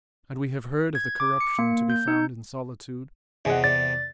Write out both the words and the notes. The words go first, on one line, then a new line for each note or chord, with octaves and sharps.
And we have heard of the corruption to be found in solitude.
G#6
D6
C#7
A#3
G6
D#4
E2 C3 G#4 D#5 F#5
D5 A6